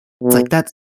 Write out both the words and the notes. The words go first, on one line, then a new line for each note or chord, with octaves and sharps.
It's like, that's
B2